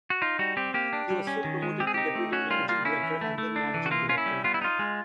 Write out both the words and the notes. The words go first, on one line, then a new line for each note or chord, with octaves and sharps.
He was soon promoted to Deputy Managing Director and then Managing Director.
F#4
D#4 F4
G3 F#4
C4 G4
A#3 G4
D4
G3
C#4
D#3
G#3
C4 G4
G#4
D#4 G4
A3
C#4 F#4
G3 F4
A#3 F4
C#4 E4
E3
A3
A3
D4
E3
F#4
A#3 F4
C#4 F4
E4
G3
B3 F4
E4
D#4 F4
G#3